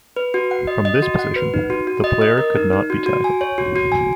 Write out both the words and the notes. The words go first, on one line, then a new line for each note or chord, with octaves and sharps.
From this position the player could not be tackled.
B4
F#4
F#5
D#5
D#5
F#4
F#5
B4
D#4
F#4
F#4
D#5
D#5
A#4
D#4
D#4
F#4
F#4
G#5
C#5
F#4
F#4
G#5